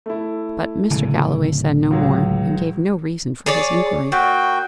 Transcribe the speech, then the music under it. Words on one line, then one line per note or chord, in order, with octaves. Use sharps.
But Mr. Galloway said no more, and gave no reason for his inquiry.
A3 E4
D1 C#3 G#3
C#2 F#3
G#4 C#5 D5
A#2 F#4 G5